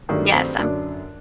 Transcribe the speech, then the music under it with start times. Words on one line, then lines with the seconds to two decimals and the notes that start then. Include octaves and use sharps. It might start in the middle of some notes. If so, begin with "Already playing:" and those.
Yes, I'm
0.09 G2 D#3 F#3 A3 D4
0.33 C4
0.59 F#2 D3 F#3 D4